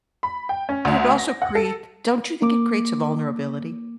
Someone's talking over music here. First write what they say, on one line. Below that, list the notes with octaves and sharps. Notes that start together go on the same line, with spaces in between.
But it also create don't you think it creates a vulnerability?
B5
G5
C#4
D2
A#6
F#5
A4
A#3 D6